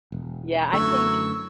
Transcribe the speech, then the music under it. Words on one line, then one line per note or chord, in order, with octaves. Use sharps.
Yeah, I think,
E1
F#2 D3 E3 F#3 A3 C#6 E6